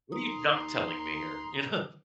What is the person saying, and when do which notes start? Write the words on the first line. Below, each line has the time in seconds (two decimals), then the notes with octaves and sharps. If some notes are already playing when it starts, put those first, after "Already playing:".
"What are you not telling me here?" You know?
0.12 D#2 A#5 C6 D#6